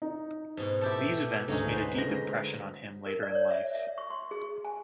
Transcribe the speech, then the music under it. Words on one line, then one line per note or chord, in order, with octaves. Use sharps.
These events made a deep impression on him later in life.
D#4
G#2 B2
E4 G4 A4
D2 G#2 F#3 C#4 D#4
B4 C5
D3 G#3 A#6
A#4
D5
C#5
E5
E5
C#6
C6
G#4
G#5